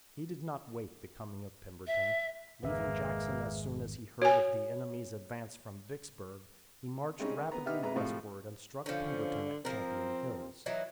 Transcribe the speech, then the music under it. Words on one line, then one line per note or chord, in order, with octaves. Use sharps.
He did not wait the coming of Pemberton. Leaving Jackson as soon as he heard of the enemy's advance from Vicksburg, he marched rapidly westward and struck Pemberton at Champion Hills.
E5
G#1 F2 G#3 A#3 B4 E5
F#4 C#5 G#5
G3 G#3 C4 C#4 D#4 G#4
D#3
B3 A#5
B2 B3 D#4 G4 E5 F6
F2 G#3 B4 E5 A#5
A2 C3 F3 G#3
D3 F3 C#4
F3 C4 A#4
E3 F#3 D#4